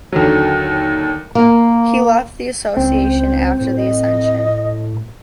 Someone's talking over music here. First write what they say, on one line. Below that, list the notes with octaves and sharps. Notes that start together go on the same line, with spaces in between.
He left the association after the ascension.
D#2 D3 F#3
A#3
C#2 C4 C5
A2
D#5